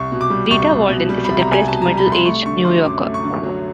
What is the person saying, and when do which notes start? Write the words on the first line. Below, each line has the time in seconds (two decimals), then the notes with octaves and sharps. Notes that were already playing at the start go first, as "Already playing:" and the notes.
Rita Walden is a depressed middle-aged New Yorker.
Already playing: C2 C#6
0.12 B2
0.21 D6
0.30 G3
0.50 C2 C#6
0.71 C2
0.89 B2
1.09 G3
1.24 C2 B5
1.39 A#5
1.47 C2
1.52 G#5
1.68 B2 A5
1.82 A#5
1.87 G3
1.97 B5
2.07 C2
2.12 C6
2.26 A3 C#6
2.46 D3 C#6
2.65 F#3 C6
2.85 F#2 D6
3.04 A3
3.14 C#6
3.24 D3
3.43 F#3